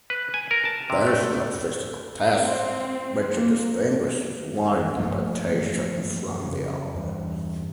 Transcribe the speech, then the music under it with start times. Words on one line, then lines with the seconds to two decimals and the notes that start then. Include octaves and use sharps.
There is no physical test which distinguishes one interpretation from the other.
0.10 B4
0.34 G#5
0.51 A#4
0.65 A5
0.90 C3
1.07 A3
2.37 C4
3.34 A#3
4.98 G2 F3 A3 A#3
6.45 F2 C#3 F#3
6.94 E2 G2 E3 G3